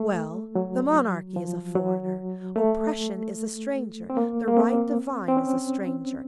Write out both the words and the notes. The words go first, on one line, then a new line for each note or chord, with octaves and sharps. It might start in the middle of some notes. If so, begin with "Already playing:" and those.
Well, the monarchy is a foreigner; oppression is a stranger; the right divine is a stranger.
Already playing: A3
F#3
F3
F#3
A3
C4
A#3
A#3
C4
C4
C#4